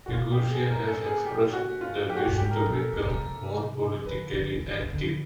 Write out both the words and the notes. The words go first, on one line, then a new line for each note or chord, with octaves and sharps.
Higuita has expressed the wish to become more politically active.
A#2 F#4
B2 F4
G4
B2
G#4
F#2 A#4
A4
G#4
G4
F#4
F4
G4
F#4
G2 G4
G#2 G4
A#4
A4
B2
A4
C3
B2
C3
C3
D3 B4
D3
D3
D#3
C#3
D3